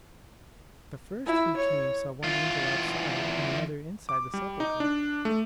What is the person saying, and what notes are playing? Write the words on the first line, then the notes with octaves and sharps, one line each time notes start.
The first who came saw one angel outside and another inside the sepulchre.
E4
C#5
E2 F4
D6
G3
D#4
D4
A3